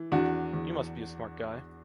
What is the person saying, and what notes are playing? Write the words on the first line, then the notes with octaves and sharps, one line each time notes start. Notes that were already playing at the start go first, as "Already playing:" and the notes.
You must be a smart guy!
Already playing: E3
E2 D4 F#4
E2